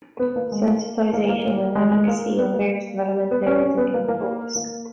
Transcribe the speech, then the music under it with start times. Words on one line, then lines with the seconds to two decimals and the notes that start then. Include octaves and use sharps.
Sensitisation and advocacy on various developmental areas are given focus.
0.19 B3
0.36 A#3
0.52 G#3
0.67 A#3
1.13 A#3
1.29 A#3
1.75 G#3
1.91 G#3
2.07 A#3
2.38 B3
2.53 A#3
3.31 B3
3.46 C#4
3.63 C#4
3.77 B3
3.94 A#3
4.08 A#3
4.56 A#3